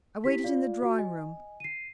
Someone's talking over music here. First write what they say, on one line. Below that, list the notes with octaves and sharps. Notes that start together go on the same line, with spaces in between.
I waited in the drawing-room.
E4 G4 B6
F4 D5 F5
F#4
D#5 G#5
C7 D#7